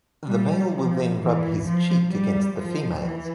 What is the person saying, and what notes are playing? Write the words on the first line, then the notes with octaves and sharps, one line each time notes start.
The male will then rub his cheek against the female's.
G3
F3
E3
F3
G3
F3
E3